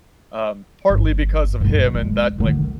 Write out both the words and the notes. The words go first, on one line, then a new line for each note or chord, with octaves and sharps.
Um, partly because of him and that like,
G1
F#2 A#2
G#3
D3 D#3